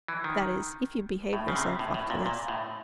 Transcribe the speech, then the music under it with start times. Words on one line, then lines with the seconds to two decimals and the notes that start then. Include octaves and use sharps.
"That is, if you behave yourselves after this."
0.08 E3
0.24 D#3
1.33 A2
1.48 C#3
1.56 C3
1.79 A2
1.94 A2
2.10 A#2
2.26 A#2
2.48 A2